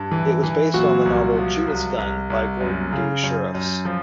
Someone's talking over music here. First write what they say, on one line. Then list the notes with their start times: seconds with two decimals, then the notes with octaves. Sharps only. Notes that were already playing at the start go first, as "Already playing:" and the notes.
It was based on the novel "Judas Gun" by Gordon D. Shirreffs.
Already playing: G2
0.12 E3
0.43 E3
0.74 A#2 F#3 F#4
1.06 C2
1.37 F3
1.68 C2
1.98 C2
2.30 C2
2.61 F#2
2.93 C#3
3.23 F#2
3.55 F#2
3.85 F3